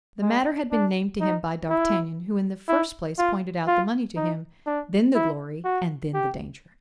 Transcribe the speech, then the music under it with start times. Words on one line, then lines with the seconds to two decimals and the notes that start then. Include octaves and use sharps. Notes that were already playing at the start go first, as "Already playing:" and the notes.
The matter had been named to him by d'Artagnan, who in the first place pointed out the money to him, then the glory, and then the danger.
0.22 G#3
0.72 D4
1.21 D#4
1.70 E4
2.68 E4
3.18 F4
3.67 F4
4.16 D#4
4.66 D4
5.15 E4
5.65 F#4
6.14 G4